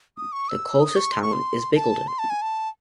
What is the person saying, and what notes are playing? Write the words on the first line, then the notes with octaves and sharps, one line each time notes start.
The closest town is Bickleton.
D#6
C#6
E6
D#6
C#6
C6
C#6
C6
A5
C6
A5
G#5
A5